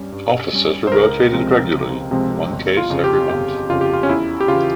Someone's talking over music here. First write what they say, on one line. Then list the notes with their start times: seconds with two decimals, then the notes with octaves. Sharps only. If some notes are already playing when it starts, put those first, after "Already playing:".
Officers were rotated regularly-in one case every month.
Already playing: G2 G3 C#4
0.12 G2
0.53 G3 C#4
0.87 C5
0.92 C#2 A#4
1.32 C3 F3 G#3 C4
1.72 C#2
2.11 C3 F3 G#3 C4
2.51 G1
2.77 F4
2.90 F2 C#3
3.04 G4
3.30 G1 G4
3.70 F2 C#3 F4
3.81 G4
3.93 F4
4.03 C#4
4.09 E2 E4
4.40 G4
4.48 C#3 F4
4.54 E3